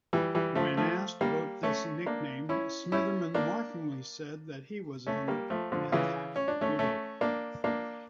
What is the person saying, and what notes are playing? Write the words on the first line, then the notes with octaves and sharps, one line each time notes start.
When asked about this nickname, Smitherman mockingly said that he was an "attack poodle".
E3 G3
E3 G3
F3 A3
F3 A3
G3 A#3
A3 C#4
A#3 D4
C#4 E4
C#4 E4
A#3 D4
A3 C#4
G3 A#3
F3 A3
D3 F3
C#3 E3
C#4
D4
A3 C#4
A3 C#4
A#3 D4
A#3 D4